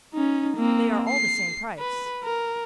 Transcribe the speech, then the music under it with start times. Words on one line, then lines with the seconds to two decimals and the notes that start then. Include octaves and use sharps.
"They are all the same price."
0.13 C#4 D#4
0.57 A#3 C4
1.09 C7
1.79 B4
2.24 A#4